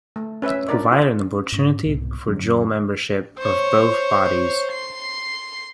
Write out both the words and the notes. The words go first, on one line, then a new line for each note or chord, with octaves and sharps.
Provide an opportunity for dual membership of both bodies.
A3
C#4 B4 C#5 E5
D4 D#4 A#4 D5
F4 D5
C#4
G#2 C4 C#4
C2 G#2 B2
F#2 D3 F#3 C#4
C5 C#5
C6 C7